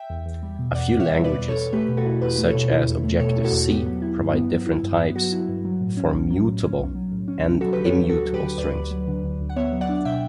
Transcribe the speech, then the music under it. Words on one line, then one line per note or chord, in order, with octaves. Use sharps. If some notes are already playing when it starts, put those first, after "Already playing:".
A few languages, such as Objective-C, provide different types for mutable and immutable strings.
Already playing: E5 G5
E2
E2
G3
B2
E2 D5 F#5
E2
C#5 E5
G3
B2 B4 D5
E2
A4 C#5
E2
A3 G4 B4
B2
F#4 A4
E4
E2 G4 B4
A3
A4 C#5
B2
E4
E2
A3
B2 A4 C#5
E4
F#4 A4
E2
B3 G4
F#3
E4
G2
B3
F#3
E4
G2
B3
F#3 F#4
E4
G2
F#3
A2
C#4
B1
F#3
A2
C#4
B1
F#3
A2
C#4
B1
F#3 F#4 A4
D3 G4 B4
A4 C#5
D2
D2 F#4 A4
F#3
G4 B4
D3
D2 B4 D5
D2
F#3
D3
D2
D2
F#5
B3 C#5 E5
F#3
D5 F#5
D4
B2 E5 G5